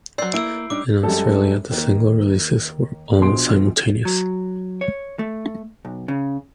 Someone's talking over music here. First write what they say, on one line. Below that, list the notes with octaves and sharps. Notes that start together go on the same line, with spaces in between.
In Australia, the single releases were almost simultaneous.
F#3 C5 D5 E6 G6 C7
A#3 E4 E6 D7
G3 D4 D#4 D6
F#2 G3 G#3 A4
D#2 D#3 A#3
A#1 B2 F3 C6 D7
F#3
C#5
A3
B1
C#3